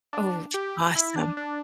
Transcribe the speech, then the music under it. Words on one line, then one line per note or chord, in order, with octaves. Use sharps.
Oh, awesome.
D4
G4
E4
D4
D4